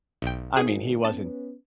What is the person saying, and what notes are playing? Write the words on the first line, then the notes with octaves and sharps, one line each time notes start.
I mean, he wasn't
B1 G5
G#1 G#4
B3 C#4 A5